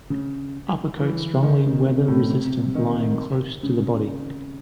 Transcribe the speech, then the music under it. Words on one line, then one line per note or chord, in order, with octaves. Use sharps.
Upper coat strongly weather-resistant lying close to body.
C#3
E3
D#3
C#3
C3
A2
C3
D#3
C#3